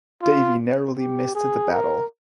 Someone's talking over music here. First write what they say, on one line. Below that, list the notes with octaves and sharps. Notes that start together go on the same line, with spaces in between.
Davie narrowly missed the battle.
F4
G4
G#4
A#4